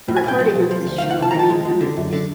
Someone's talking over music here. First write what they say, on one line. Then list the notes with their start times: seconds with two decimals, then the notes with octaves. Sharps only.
The recording of this show remains unreleased.
0.08 A2
0.16 G#5
0.24 B1 G5
0.40 F3
0.55 B1
0.71 F3
0.87 D2
0.98 F5
1.02 D#3
1.11 F#5
1.18 C3 A5
1.31 A#5
1.35 D#3 A5
1.50 G#3
1.65 G#3
1.81 D3
1.97 F#2
2.13 D3